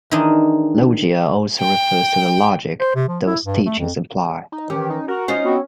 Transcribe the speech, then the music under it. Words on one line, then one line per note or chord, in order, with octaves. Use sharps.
Logia also refers to the logic those teachings imply.
D#3 E3 G#3 D4 D#4
G5
C5
C3
F3
E4
G2
A3
F2
D#4
D#3 E3 C#4 G4
D#4
F#4 A#4
C#4 D#4 F4 C5
B3 C4 F#4